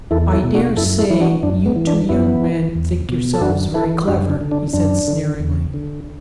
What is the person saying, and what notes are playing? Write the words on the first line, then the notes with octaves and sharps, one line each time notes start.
"I daresay you two young men think yourselves very clever," he said sneeringly.
E2 E4 A4
E4 A4
B2
D4 F#4
F#2 E4 A4
E4 A4
E3 E4
D4 F#4
F#2 D4
B3
E3
D4
F#2 B3 E4
E3
E2
B2
A4
F#2 D4 F#4
E3 E4 A4
F#2 D4 F#4
D4
D3
D4
F#2 D4
D3
E2
D3